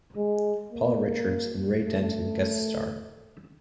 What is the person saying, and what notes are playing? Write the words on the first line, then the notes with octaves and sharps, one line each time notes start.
Paul Richards and Ray Danton guest star.
G#3
A#3
A3